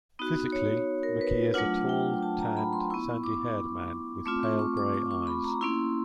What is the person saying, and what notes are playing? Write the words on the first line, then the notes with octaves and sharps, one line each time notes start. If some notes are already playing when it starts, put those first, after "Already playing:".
Physically, McGee is a tall, tanned, sandy-haired man with pale grey eyes.
B3 D#4 F#4
C#5
A#4
B4
F#3 A3 D4 F4 F#5
G5
A5
A#5
B5
C6
B3 E4 C#6
D6
A3 C4 F4 D6
C#6
C#6
D6
D6
C#6
B5
A#5
A#3 C#4 E4 C6